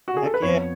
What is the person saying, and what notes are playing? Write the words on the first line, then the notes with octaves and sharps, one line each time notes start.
heck ye
F#4
G#4
A4
B4
F2 F3 B3 C#5